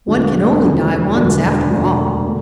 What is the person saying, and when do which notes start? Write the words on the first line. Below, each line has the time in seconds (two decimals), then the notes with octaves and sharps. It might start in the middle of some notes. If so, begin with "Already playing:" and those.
One can only die once after all.'
0.07 E1 D2 D3 F#3 D4
0.61 E1 D2 D3 F#3 D4
1.15 E1 D2 D3 F#3 D4
1.69 E1 D2 D3 F#3 D4
2.24 D3 A3